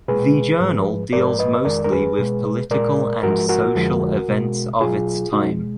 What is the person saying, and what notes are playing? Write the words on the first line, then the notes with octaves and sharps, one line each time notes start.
The journal deals mostly with political and social events of its time.
B2 G#3 G#4 B4
G#2 F3 G#3
G#2 F3 G#3 A#4 D5
B4 D#5
F2 D#3 G#3 A#4 D5
A#4
G#4 B4
B2 G#3
A#2 G#3 A#4 D5
G#2 F3 G#3 F#4 A#4
F#4 A#4
F2 D3 F3 G#3
B2 G#3
B2 F#3 F4 G#4
B2 G#3 D#4 F#4